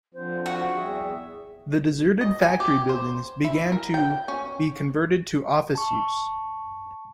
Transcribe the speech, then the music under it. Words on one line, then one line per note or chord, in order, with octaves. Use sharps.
The deserted factory buildings began to be converted to office use.
D3 F3 C4 C5
F#4 F5
E2 G3 G#4 E5
D#5
G#5
G4
C5
E4
A#4
G5
C#4
A5 C#6